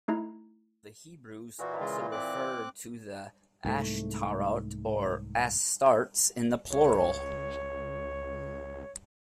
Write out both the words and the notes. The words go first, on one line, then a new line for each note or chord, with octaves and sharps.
The Hebrews also referred to the "Ashtarot" or "Astartes" in the plural.
A3 D#4 E4 A#5
A#2 E3 F#4
C#3 G#3 F4
C4 D6 F#6
C2 G#2 A3
C#2 C#5